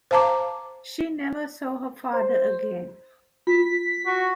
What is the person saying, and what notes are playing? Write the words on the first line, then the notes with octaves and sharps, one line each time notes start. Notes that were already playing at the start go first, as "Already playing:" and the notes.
She never saw her father again.
C5 F5 A5 A#5 D6
C5
F4 B6
F#4